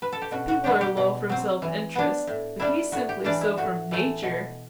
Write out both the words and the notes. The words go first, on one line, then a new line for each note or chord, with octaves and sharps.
Some people are low from self-interest, but he's simply so, from nature.
B4
A4
G4
B2 F#4
F#4
F#3 B3 D4 G4
G4
B2
F#3 C4
E3
B3 D4
A2
G3 D4 E4
A2 F#4
G4
E3 G3 D4 D5
E4
A2 F#4
E3 A3
B2